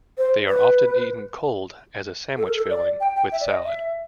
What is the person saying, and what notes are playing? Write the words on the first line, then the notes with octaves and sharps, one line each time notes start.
They are often eaten cold as a sandwich filling, with salad.
C5
B4
A4
A#4
A4
D5
G5
G5
E5
D5
D#5
E5